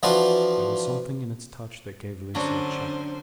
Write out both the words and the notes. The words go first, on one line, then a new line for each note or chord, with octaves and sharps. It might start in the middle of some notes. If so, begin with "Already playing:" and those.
There was something in its touch that gave Lucie a check.
E3 F3 D4 F4 F#4
D3 F#3 C#4 D4 F#4 C5